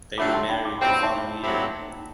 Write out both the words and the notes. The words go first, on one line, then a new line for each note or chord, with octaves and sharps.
They remarried the following year.
D3 F#3 A3 D4 G4 B5 D6
A5 C6
G5 B5
D6
G2 F#3 C4 C6
B5
A5 C6
A2 F#3 C4 E4 G4